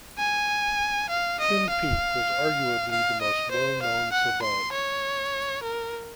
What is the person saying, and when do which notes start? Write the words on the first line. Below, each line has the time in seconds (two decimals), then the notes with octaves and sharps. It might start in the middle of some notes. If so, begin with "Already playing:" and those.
Kim Peek was arguably the most well-known savant.
0.19 G#5
1.09 F5
1.40 D#5
1.70 F5
2.91 F5
3.21 D#5
3.51 C5
3.82 F5
4.12 F#5
4.42 C6
4.73 C#5
5.63 A#4